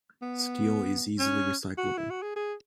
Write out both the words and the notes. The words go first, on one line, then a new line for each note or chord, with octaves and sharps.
Steel is easily recyclable.
B3
C#4
F#4
E4
F#4
G#4
G#4